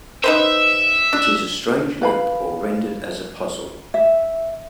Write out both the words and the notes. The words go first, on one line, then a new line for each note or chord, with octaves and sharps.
It is a strange loop or rendered as a puzzle.
D#4 B4 C5 E5
D4
B4 F5 B5
E5